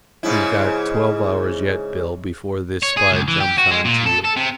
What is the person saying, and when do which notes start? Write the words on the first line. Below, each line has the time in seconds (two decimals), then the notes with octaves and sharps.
We've got twelve hours yet, Bill, before this spy jumps onto you.
0.23 G#2 C#3 E4
2.83 C#5
2.97 G#4
3.11 C#2
3.28 E3
3.40 G4
3.58 F#4
3.71 G#3
3.85 A#2
4.06 A4
4.24 A4
4.36 C3